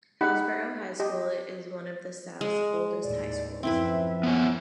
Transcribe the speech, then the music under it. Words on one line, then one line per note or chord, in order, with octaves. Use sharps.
Hillsborough High School is one of the South's oldest high schools.
D#4 G4 F#5 B5
G4 D#5
G#3
D#2 A2 D5
F#2 F3 C4 E4 B4 E5
B3 C#5 G#5